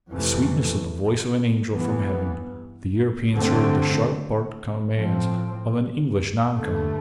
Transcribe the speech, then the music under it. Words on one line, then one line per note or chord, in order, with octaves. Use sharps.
With the sweetness of the voice of an angel from heaven the Europeans heard the sharp-barked commands of an English noncom.
F2 C3 E3 A3
G2 E3 B3
G2 D3 A3 C4
A2 F3 C4
G2 D3 A3